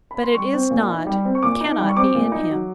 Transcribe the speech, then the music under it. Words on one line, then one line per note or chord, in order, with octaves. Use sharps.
But it is not, cannot be in him.
B5
C6
G3 C#6
C4
A#2
D#4
G3
C4
C#6
A#2 D6
D#4
G3
C#6
C4 D6
A#2
D#4
F#3